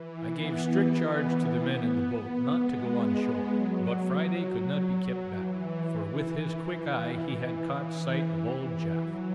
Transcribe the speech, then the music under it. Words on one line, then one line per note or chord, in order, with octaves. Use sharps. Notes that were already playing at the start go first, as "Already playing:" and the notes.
I gave strict charge to the men in the boat not to go on shore, but Friday could not be kept back, for with his quick eye he had caught sight of old Jaf.
Already playing: E3
B3
B3
B3
G#3
F#3
E3
F#3